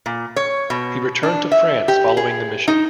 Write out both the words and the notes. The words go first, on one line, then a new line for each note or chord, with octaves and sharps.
He returned to France following the mission.
A#2
C#5
B2
D4
E5
G4
G#4
D#4